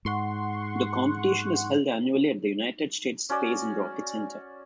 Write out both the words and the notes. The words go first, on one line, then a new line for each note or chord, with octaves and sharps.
The competition is held annually at the United States Space and Rocket Center.
G#2 F#5 C6 C#6
C#4 F#4 D5